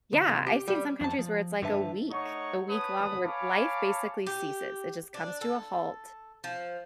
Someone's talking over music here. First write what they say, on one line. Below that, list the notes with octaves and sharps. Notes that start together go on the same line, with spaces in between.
yeah, I seen some countries where it's like a week, a week long where life basically ceases. It just comes to a halt,
D2
C2
G4
G3
F2 A5
F3
G2 D3 B4 E5 A5
A3 D#4 C#5 F#5 C#6
C#4 B4 C#5 F#5 A5 D#6
C#5 F5 G#5 A5 B5 D6
G4
D4
A4
F3